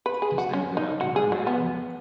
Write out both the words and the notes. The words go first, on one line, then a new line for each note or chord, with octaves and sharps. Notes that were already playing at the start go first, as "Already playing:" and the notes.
This thing is about to burn down.
B4
G#4
F#4
C#4
D#4
F#4
G#4
F#3
B3